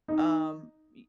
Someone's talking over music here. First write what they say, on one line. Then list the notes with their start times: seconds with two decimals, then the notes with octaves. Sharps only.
um, eh
0.08 D#4